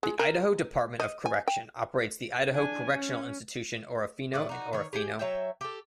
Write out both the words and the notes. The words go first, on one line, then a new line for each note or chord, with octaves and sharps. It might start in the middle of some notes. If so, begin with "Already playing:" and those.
The Idaho Department of Correction operates the Idaho Correctional Institution-Orofino in Orofino.
G#3
A#4
D#5
G#5
G5
D4 G#5
C#4
A2 F#4 D5
D#4 F#4
D#3 C#5
G4 G#4 G5
F#3 C#5 E5 G5
G4 A4